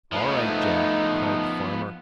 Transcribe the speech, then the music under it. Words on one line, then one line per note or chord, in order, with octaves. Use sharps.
"All right, Jack," replied the farmer.
F3 A3 B3 D#4